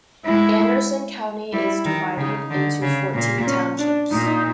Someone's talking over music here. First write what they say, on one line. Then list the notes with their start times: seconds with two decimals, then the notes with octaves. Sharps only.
Anderson County is divided into fourteen townships.
0.25 G#3 E4
1.53 G3 E4
1.85 D#3
2.17 C#3 D#4
2.50 D3
2.82 C#3
3.14 A#2
3.47 C#4
3.79 D4
4.11 A#2 D#4